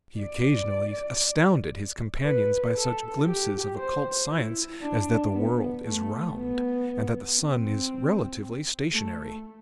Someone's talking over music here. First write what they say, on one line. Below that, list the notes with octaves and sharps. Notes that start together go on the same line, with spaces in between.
He occasionally astounded his companions by such glimpses of occult science as that the world is round and that the sun is relatively stationary.
D5
B4
A4
G4
C5
E4
D4
B3
A3
B3
C4
A3